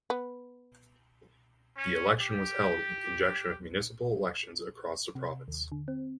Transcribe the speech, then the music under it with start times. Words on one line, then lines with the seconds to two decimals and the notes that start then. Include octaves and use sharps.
The election was held in conjunction with municipal elections across the province.
0.10 B3
1.77 C#4
2.20 G4
5.15 C3
5.48 D#2
5.72 D3
5.88 C4